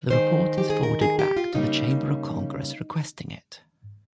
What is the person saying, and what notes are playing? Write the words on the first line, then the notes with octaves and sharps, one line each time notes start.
The report is forwarded back to the chamber of Congress requesting it.
D#3 G#3 C5
G4
G#4
A#4
G#4
G4
F4
C#3 G3 A#3 D#4